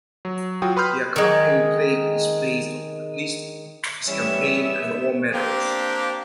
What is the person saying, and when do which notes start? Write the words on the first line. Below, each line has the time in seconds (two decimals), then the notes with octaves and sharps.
The accompanying plaque displays a list of his campaign and war medals.
0.25 F#3
0.62 F#3 F4 F#4 G5 D#6
0.76 B4 B5 C6 D#6 F6 G6
1.16 D#3 G#3
4.07 E3 G3 B3 C#4 E5 E7
5.33 A#3 C4 D4 G4